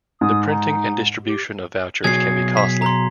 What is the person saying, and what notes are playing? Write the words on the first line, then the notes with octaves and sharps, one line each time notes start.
The printing and distribution of vouchers can be costly.
G#2 D#6
D#4
G4
B2 F#3 G#4 G#6 C7
B6
A#5 C6